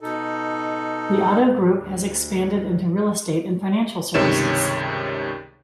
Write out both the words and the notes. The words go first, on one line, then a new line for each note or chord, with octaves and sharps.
The Otto group has expanded into real estate and financial services.
B2 D#4 A4
D2
C#2 G2 C3 D#3 C#5 E7